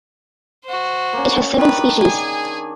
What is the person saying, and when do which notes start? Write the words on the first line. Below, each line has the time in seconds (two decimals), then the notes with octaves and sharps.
It has seven species.
0.64 F#4 C5
1.13 A#3 C#4
1.58 D#3 D4 B4
2.00 G#4 G#5